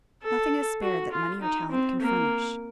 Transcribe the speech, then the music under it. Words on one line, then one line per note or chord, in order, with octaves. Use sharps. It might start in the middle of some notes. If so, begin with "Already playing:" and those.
Nothing is spared that money or talent can furnish.
A4
F#4
F4
D#4
C4
A#3